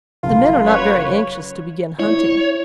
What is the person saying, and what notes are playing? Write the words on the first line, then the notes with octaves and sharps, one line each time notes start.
The men are not very anxious to begin hunting.
F#1 F4
F#4 B4 C#5
E4 C#5